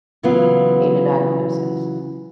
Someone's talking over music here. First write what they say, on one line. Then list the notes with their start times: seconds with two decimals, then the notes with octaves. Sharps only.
Any diagnosis.
0.23 C#3 E3 F#3 B3 F4